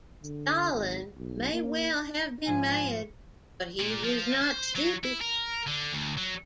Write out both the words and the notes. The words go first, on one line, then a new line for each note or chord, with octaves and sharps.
Stalin may well have been mad but he was not stupid.
D3
G#1
B1
A#3
G#2 F3 G#5
A#2
F3
C5
F#3
E4
A#4
D3
D2
F#3